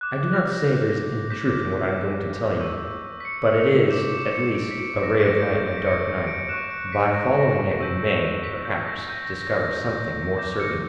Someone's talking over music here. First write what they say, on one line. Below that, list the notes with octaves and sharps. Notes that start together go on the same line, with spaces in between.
"I do not say there is any truth in what I am going to tell you, but it is, at least, a ray of light in a dark night; by following it we may, perhaps, discover something more certain."
D6 F#6
A#6
G6
A#6
D6 G6 B6
C#6 E6 G6
B6
C#7
F#7
D6 G6 E7
E7
C#7
C#7
D7
B6
A#6
C#6 G6 D7
G6
A#6
B6
C#7
C#7
D7
C#6 F#6 E7
D7
B6
A#6
C#6 E6 G6
B6
G6
A#6
C#6 G6
A#6
A#6
G6
G6
D6 G6 A#6
C#7